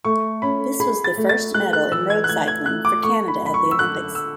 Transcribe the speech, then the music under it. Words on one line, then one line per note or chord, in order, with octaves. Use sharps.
This was the first medal in road cycling for Canada at the Olympics.
A3 C#6
C#4 B5
G#4 B5
A6
A3
A6
G#4 F#6
F#6
E3 E6
G#6
F#6
A3 G#6
G#6
A3 F#6
D6
A3 C#6
B5
F#2 B5
C#6
E6
D3 F#6
E6